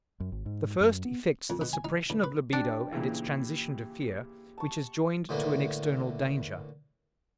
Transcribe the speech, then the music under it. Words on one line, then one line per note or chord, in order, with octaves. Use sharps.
The first effects the suppression of libido and its transition to fear, which is joined to an external danger.
F#2
G#1
G#2
F#2
B3
F2
B2
G#5
D#4
G2
B4
D4 G4
A#2 C#3 E3
A5 C#6
A2 D3 E3 A#3